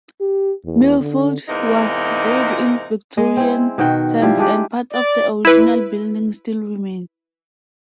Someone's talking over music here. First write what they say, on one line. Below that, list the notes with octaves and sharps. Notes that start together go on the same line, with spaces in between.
Millfield was built in Victorian times and part of the original building still remains.
G4
E2
D3
E2 G#2 C3 E3 A#3 D#4
G#3 D#5
C4 E4
B2 D#3 F#4 G5
F3 G3 E4
G#3 D4 G4
D5
E4 B4